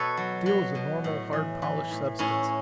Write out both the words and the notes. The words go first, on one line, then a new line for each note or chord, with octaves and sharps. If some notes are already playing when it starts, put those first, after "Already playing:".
Steel is a normal, hard, polished substance.
Already playing: B2 A4 B4 C#5
F#3
F#3
B2
A2
E3
E3
A2
A2 C#4 E4